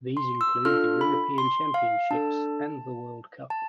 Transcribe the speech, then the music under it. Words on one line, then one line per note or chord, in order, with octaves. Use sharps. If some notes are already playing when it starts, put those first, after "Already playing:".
These include the European Championships and the World Cup.
C6
E6
D4 F4 A4 F6
B5
C6
F5
D4 A4 A5
A5